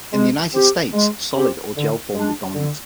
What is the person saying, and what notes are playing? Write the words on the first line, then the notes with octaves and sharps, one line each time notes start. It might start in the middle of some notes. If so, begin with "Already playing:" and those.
In the United States, solid or gel forms are dominant.
G#3
C4 G4
G#3
C4 G4
D3
G#3 D4
D3